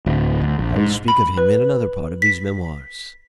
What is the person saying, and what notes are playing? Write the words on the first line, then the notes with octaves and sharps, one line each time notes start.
I will speak of him in another part of these Memoirs.
D1
D2
A#1
G#2
B5
B4
B6